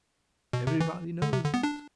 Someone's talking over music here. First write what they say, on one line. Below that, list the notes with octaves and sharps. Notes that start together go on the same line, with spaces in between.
Everybody knows that.
B2
C3
E3
D3
C3
D3
B3
D4